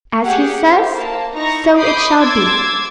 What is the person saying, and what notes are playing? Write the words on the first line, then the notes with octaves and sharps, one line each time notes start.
As he says, so it shall be.
G4 G#4 F#5
G4 C5
A#3 A5
D#4 E4 A#5 C#6 A#6
B5 D6 D#6 G6 C7
C6 D6 E6 G#6 A6